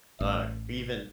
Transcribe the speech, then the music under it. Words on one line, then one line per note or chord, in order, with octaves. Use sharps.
uh, even
A1